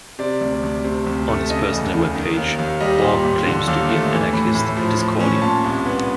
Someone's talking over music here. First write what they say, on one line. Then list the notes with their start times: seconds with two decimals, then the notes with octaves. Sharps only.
On his personal webpage, Borg claims to be an anarchist and Discordian.
0.19 C3 D5
0.41 D2
0.63 D2
0.84 C3
1.07 D2
1.28 A3
1.50 C#3 D#5
1.71 E2
1.93 E2
2.15 D#3
2.37 D#2
2.59 D#2
2.80 G3 D#5
3.02 A#2
3.25 A#2
3.46 D3
3.68 D#2
3.90 A3
4.11 E3
4.33 A2
4.55 A2
4.77 F3
4.99 A2
5.20 C#4
5.42 A#2 A5
5.64 C2
5.86 B3